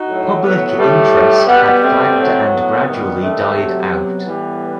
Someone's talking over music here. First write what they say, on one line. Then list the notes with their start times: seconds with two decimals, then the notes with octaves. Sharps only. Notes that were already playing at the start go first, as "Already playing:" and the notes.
Public interest had flagged and gradually died out.
Already playing: D#4 F#4
0.09 A2 F#3
0.43 B3
0.78 A2 G3 A3
1.47 B2 G3 B3
1.81 A3 C4
2.17 A2 F#3
2.52 B3
2.85 C3 D#3 G3
3.20 A3
3.55 C3 F#3
3.89 B3
4.24 A2 E3 G3